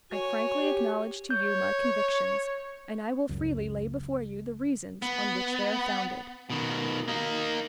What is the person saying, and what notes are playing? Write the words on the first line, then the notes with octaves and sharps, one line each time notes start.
I frankly acknowledge to you my convictions, and I will freely lay before you the reasons on which they are founded.
F#4 C#5 G#5
G4
C#5 G6
C#2 F#2
B3
B2 D#3
A#3 D#4